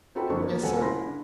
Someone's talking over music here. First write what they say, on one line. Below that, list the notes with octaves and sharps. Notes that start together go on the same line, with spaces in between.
"Yes, sir."
C4 D#4 F#4 A4 G5 B5
F#1 F2 D4 A4 C5 C#6
A#3 B3
D#1 F#3 C4 A4 F#5 G#5
C#3 E4 B5 C6 A#6
D4